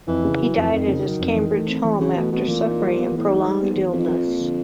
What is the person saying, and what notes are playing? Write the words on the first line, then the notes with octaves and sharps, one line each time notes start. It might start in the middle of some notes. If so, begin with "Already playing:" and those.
He died at his Cambridge home after suffering a prolonged illness.
F2 E3
C#3
F#3
F2
E3
F2 D#3
C#3
F#3
F2
E3
A3
C4
E3
C#3 E3
B2 A3
B2 C4
A#2 E3
D#4
G3
B3
A#2
E3
A2
G#2 D#4
G3
B3
E3
F2 D#4
F3
A#3
D3